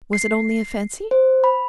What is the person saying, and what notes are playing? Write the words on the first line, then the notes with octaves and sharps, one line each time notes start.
Was it only a fancy?
C7
C5
B5